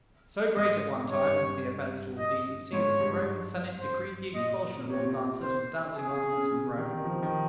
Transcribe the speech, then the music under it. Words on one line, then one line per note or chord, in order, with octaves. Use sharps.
So great at one time was the offence to all decency, that the Roman Senate decreed the expulsion of all dancers and dancing-masters from Rome.
G#2 D#5
G2 C#5
D#5
G#2 C#5
G2
C5
A#2 D#5
C3 C#5
A#2
C3
C5
C#3 G#4
C#3
C#3
C#3
A#2
C3
D#3
D#3
F3
D#3